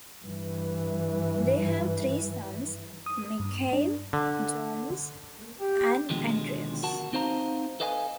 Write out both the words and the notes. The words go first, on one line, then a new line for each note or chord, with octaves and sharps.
They have three sons, Mikael, Jonas and Andreas.
G2 E3
D#6
G2
D4
D3
G4
D#2 B2 D3 F3 G#3
F#4 A#4 F#5 A5
C4 D#4 C5 F5 A#5
A4 B4 D#5 F5 F#5 G#5